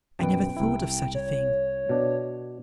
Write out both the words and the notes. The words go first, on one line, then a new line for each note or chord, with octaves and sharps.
'I never thought of such a thing.'
F#2 B2 B4 G5
C2 E4
C#5
B2 D4